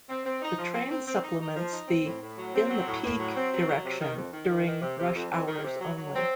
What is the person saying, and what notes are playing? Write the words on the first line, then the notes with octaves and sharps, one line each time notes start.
The train supplements the in the peak direction during rush hours only.
C4
C4
D#4
F3
C4
C4
C4
D#4
D#4
F3
D#4
C4
A2
A2
F#3
C4
F#3
A2
A2
F#3
C4
F#3
F#3
C3
D#3
F2
D#3
D#3
D#3
C3
C3
F2
F2
D#3
C3
F#3
F#3
C4